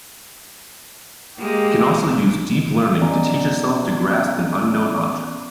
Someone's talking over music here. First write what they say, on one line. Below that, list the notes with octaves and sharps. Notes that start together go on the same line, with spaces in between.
It can also use deep learning to teach itself to grasp an unknown object.
G#3 A#3 G4
B3 C#4 D5 D#5 G#5 A#5